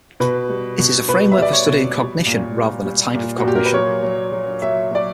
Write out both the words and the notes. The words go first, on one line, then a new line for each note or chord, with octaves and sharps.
It is a framework for studying cognition rather than a type of cognition.
B2 B4
G3
B2
B2 B4
E5
G3 D5
C#5
B2
G3
A#2
G3
G3
A#2
F#4
A#2 G4
A#4
B4
F#3 C#5
F#3
F#3
F#3 E5
F#3 D5